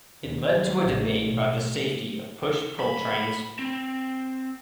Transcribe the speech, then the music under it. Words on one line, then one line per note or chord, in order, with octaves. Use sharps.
It led to a debate about the safety of push-pull trains.
D#2
A1
B2
B5
C4